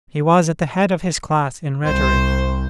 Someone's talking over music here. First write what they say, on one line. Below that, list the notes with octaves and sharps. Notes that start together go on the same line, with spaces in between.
He was at the head of his class in rhetoric.
C2 C5